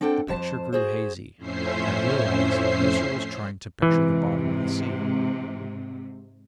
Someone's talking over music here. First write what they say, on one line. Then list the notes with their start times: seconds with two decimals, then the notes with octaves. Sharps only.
The picture grew hazy; I realized Mercer was trying to picture the bottom of the sea.
0.01 C4 D4 A4 F#5 G5
0.28 F2 C5 A5
0.72 F#4 G#4 C5
1.37 F2 A2 C#4 C5 E5 C7
3.82 G#2 C3 E3